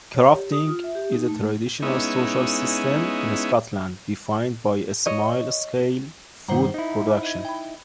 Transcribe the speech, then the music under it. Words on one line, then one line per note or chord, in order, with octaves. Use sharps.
Crofting is a traditional social system in Scotland defined by small-scale food production.
C#5
G4
D#6
F4
E5
G4
D#4
A3
G#3 B3 C#4 D#4 E4
C#5 D#5
G2 D#3 C5 F#5 A#5
D#4 E4
D#5 G#6
G5 B5